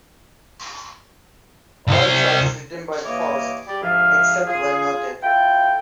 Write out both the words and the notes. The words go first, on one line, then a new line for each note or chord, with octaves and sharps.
All tracks written by Faust, except where noted.
C2 C5
G2 E3 A#3 C#5 D#5 D6
G3 G4 D5
D2 G#2 F3 G#4 E5 F5
F4 G#4
E4 F4 A4 G5